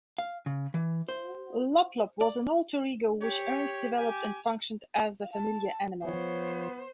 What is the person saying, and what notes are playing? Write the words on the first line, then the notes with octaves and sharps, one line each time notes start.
Loplop was an alter ego which Ernst developed and functioned as a familiar animal.
F5
C#3
E3
C5
D5
G4 C#5
G4 G#5
A5
F3 B3 C5 C#5